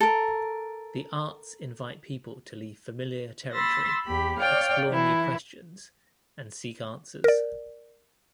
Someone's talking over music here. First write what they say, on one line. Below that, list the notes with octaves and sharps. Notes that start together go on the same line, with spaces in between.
The arts invite people to leave familiar territory, explore new questions, and seek answers.
A4 A#4
B5 C6 E6 A6 A#6
E2 G4 B5
C#5 D5 F5 G5 F6
E3 E4
A#4 D5